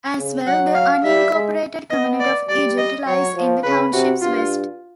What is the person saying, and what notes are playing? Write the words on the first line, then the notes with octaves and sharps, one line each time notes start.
As well, the unincorporated community of Egypt lies in the township's west.
C#3
F#3 F#5
F5
G3 E5
G#3
B3 D#5
D5
G3 D5
D#5
F#3 C#5
F3
C#3 B4
C3 F#4
G2 F4